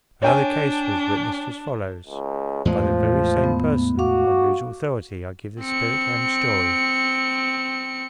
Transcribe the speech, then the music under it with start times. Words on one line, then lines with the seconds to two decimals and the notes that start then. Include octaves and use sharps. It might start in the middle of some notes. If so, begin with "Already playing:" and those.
Another case was witnessed as follows, by the very same person on whose authority I give the spirit-hand story.
0.23 D4 C#5 G5 G#5
2.07 C#2
2.65 E2 A2 F3 G#3
3.44 B3
3.99 F#4 F5 C#6 D6
5.61 C4 C#7